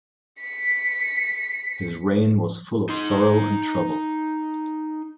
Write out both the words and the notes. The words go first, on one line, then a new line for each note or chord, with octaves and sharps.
His reign was full of sorrow and trouble.
B6 C#7
D#4 C6